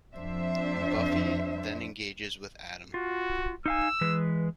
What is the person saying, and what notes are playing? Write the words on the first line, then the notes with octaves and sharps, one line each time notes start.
Buffy then engages with Adam.
F2 D4 C5 E5
F4 F#4
D#4 F5 G#5 E6
E3 G#3 B4